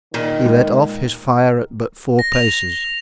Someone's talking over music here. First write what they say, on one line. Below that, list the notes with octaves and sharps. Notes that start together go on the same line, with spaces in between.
He let off his fire at but four paces.
A#2 D#3
G#3
A#6
F7